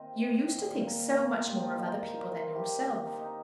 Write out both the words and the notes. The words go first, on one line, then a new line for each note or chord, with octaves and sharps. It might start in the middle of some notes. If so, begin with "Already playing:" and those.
"You used to think so much more of other people than yourself."
Already playing: D#3 C4 F4 A#4 D#5
C3
D#3 C4
A#2 F5
A#3 A#4
A#2 F4
F4
A#3 D#4
G4
D#3 F4
G3 C4 A#4
D#3 C5
G3 C4 A#4
D#3 G4
A#3 F4
D#3 D#4
D#4